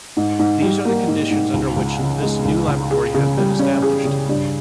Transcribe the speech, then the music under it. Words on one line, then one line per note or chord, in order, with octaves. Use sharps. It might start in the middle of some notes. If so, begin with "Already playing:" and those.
These are the conditions under which this new laboratory has been established.
G#2
G#2
G3
A#3
G#2
G#2
C#2
C#2
C#3
G#3
C#2
C#2
G#4
C#3
G3
C#4
G#4
C#3
G2